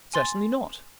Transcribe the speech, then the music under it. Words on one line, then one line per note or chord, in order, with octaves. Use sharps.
"Certainly not!"
G#5 C6 A6